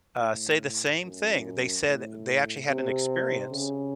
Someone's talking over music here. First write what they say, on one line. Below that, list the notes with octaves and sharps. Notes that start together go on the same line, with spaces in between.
uh, say the same thing, they said they actually had an experience
A2
F#2
A2
C3
C#3